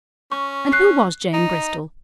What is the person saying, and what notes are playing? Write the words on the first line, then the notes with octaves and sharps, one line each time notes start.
And who was Jane Bristol?
C#4 C#6
F#6 C7
D#4